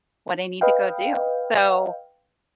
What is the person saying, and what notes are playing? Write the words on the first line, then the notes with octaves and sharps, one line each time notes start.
what I need to go do. So
B4 D#5 F5 G5